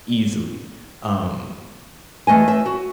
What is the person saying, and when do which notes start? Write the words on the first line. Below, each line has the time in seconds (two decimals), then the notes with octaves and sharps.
easily, um,
2.27 E2 A3 D#5 G#5
2.48 E5
2.66 F#4